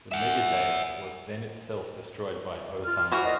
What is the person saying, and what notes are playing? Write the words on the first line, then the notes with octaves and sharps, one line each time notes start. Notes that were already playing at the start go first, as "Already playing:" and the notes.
The megadeus was then itself destroyed by O Thunder.
E5 F#5
F4 F6
E3 F#4 C5
A#4 D5 D#5